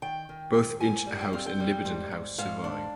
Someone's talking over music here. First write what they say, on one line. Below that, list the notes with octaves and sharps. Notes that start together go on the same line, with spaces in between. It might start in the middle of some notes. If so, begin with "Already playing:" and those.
Both Inch House and Liberton House survive.
D#3 G5
D#3
G#2
G#2 G#5
G3
G5
C4 F5
G5
G3
G#2
G#2
G#2 F5
D4